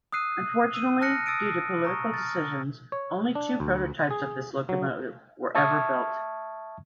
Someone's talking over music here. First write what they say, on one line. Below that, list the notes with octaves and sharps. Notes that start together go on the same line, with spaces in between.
Unfortunately, due to political decisions only two prototypes of this locomotive were ever built.
D#6 E6 F#6 C7 D#7
E6 D#7
A5 F6 F#6 A#6 C#7
D#6 E6 A6 D7 D#7
A#5 C#6 D#6
F6 A6
C#5
D4
D2
G#4
F#3
E5 A5 C#6 D#6 F6 G#6